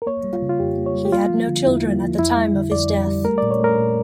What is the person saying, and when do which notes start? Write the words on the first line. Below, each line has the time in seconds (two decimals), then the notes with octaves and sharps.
He had no children at the time of his death.
0.02 A#4
0.07 A#3 C#5
0.24 G3
0.33 F4
0.42 C#3
0.50 F4
0.60 F2 G4
0.77 A#3
0.86 C#5
0.95 G3
1.05 G4
1.13 A#3 F4
1.30 F3
1.48 D3
1.66 E2 E4
1.83 A#3
2.01 F3
2.19 F2 E4
2.36 G3
2.54 D3
2.71 F2 D5
2.89 F2
3.07 G3
3.24 A3 A#4
3.38 A#2 D5
3.51 C#5
3.60 A3 A#4
3.77 A#2